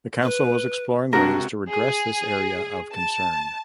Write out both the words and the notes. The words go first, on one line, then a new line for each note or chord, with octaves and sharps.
The council was exploring ways to redress this area of concern.
B4
C#2 C3 D4 F#4 A#4
G#4
A5